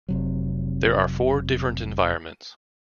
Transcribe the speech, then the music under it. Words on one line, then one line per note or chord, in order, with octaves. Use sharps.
There are four different environments.
F1 C3 F#3